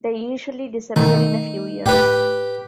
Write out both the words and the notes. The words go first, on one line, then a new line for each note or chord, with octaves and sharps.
They usually disappear in a few years.
B2 D#3 A3 D#4
A2 G4 B4